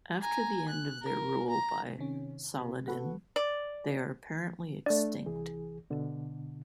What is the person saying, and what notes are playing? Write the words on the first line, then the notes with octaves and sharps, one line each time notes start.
After the end of their rule by Saladin they are apparently extinct.
G#5 A#5
F#6
A#4
A#5
C3 D#3 C#4
C3
F#4 A4 B4 F#5
D5
A3 D4 D5
C2 E3 G#4
B2 D3